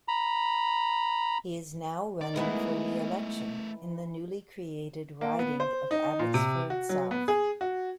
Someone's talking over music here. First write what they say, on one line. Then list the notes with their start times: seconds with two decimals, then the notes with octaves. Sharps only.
He is now running for re-election in the newly created riding of Abbotsford South.
0.08 A#5 B5
2.21 D#3 D5
2.36 E3 G#3 A3 B3 E4 A#4
5.21 A#3
5.39 B3
5.60 C5
5.91 D#4
6.19 A#2
6.34 C3
6.70 F#4
6.89 F#3
7.11 B3
7.28 G#4
7.61 F#4